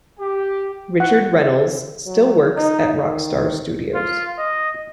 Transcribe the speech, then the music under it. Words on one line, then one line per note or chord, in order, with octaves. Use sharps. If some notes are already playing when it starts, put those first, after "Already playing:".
Richard Reynolds still works at Rockstar Studios.
G4
F#5
F#3
D#4
D#3
F4
D#5